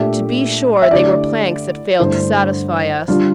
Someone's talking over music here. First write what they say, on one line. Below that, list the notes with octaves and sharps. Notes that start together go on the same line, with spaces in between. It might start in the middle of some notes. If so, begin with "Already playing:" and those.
To be sure, they were planks that failed to satisfy us.
Already playing: A#2 A3 D4 G4 E5
E5
D3 A3 E4 G4 D5
G2 D3 A3 E4 C5
D3 G3 D4 F4